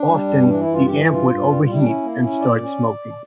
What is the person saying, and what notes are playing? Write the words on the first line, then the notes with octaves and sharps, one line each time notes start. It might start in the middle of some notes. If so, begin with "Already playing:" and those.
Often, the amp would overheat and start smoking.
Already playing: D4
G3
G2
E3 D4
E4
G2
F4
E3 G4
G2
F4
G2
G3
G3 F4
E4
D4
C#4 E4
A#3
C#4
A#2 D5
C#4